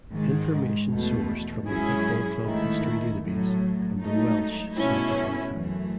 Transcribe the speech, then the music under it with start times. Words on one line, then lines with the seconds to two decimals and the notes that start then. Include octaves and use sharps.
Information sourced from the Football Club History Database and the Welsh Soccer Archive.
0.12 G#2 D#3 G#3
0.89 E2 B2 A3
1.66 G#2 F#3 C#4 E4 G#4
2.43 G#2 D#3 A3 E4
3.21 A2 F#3 A3
3.98 G#2 F#3 A3 D#4
4.76 B2 A3 C#4 E4
5.53 F#2 E3 A3